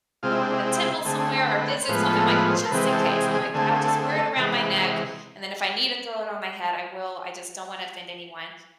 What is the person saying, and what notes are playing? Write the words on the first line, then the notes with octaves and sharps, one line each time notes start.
a temple somewhere or visit something," I'm like, "Just in case," I'm like, "I'll just wear it around my neck, and then if I need to throw it on my head, I will, I just don't wanna offend anyone."
C3 G#3 C4 F4
E4
D4
E4
E4
D3 A3 C4 G#4
B4
C5
A2 F3 G#3 B3
B4
A4
B4
C5
A4
C3 E3 G#3 C4 B4
A4
G#4
G#4
D3 A3 C4 G#4
G#4
A4
G#4
G#4
A4
A4
C3 E3 G#3 B4